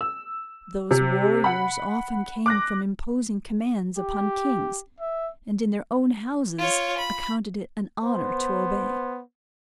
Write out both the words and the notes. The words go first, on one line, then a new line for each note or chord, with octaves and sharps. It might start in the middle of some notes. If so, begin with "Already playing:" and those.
Those warriors often came from imposing commands upon kings, and in their own houses accounted it an honor to obey.
E6
C3
F#5 B5
D6 F#6 A#6
G4
E5
F4 C#5
B5
B3 C5